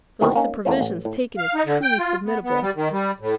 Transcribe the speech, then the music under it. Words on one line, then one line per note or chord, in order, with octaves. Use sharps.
The list of provisions taken is truly formidable.
D2 B2 D#3 B3 C4 E4
A#3 C#4 D#4
E2 A3 A#3 C#4 C5
A1
A2
F5
D#4
D3
G5
F4
B3
B3
G3
D#3
G3
A2